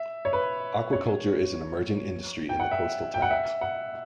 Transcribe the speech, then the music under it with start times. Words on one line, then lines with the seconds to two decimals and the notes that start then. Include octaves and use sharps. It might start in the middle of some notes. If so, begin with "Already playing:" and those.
Aquaculture is an emerging industry in the coastal towns.
Already playing: E5
0.25 C#5
0.33 B4
0.93 C#5
2.49 G5
2.60 F#5
2.71 E5
3.14 G5
3.22 F#5
3.30 E5
3.61 F#5